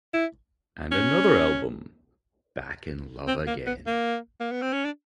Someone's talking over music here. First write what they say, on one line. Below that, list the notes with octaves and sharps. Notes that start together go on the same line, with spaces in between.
And another album, "Back in Love Again".
E4
C#4
C4
A#3
B3
A#3
A#3
B3
C4
C#4
D4